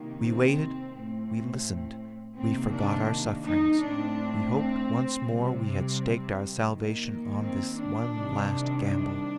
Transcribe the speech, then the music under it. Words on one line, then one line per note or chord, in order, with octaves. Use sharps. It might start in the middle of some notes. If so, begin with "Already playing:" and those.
We waited, we listened, we forgot our sufferings, we hoped once more. We had staked our salvation on this one last gamble.
Already playing: C3 D#3 A#3
C4
A2 A3 C4
C3 D#3 A#3 C4
D4
D#4
A2 A3 C4 D4
C4
C3 G3 C4
D#3 A#3
C4
D4
C3 D#3 G3
D4